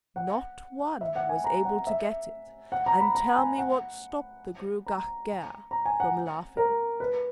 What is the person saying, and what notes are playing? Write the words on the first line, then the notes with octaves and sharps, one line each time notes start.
Not one was able to get it and tell me what stopped the Gruagach Gaire from laughing.
F#5
E5
F#5
G#5
A#5
F#5
E5
F#5
A#5
B5
A#5
G#5
F#5
A#5
A#5
G#5
F#5
A#4
B4